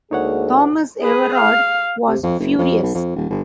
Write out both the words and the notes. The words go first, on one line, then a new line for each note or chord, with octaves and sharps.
Thomas-Everard was furious.
D2 G#3 A#3 D#4 G#4 C#5 F#5
G#4 B4
F5
C3
F2
F#1
F2
B1
F2
D#1
G1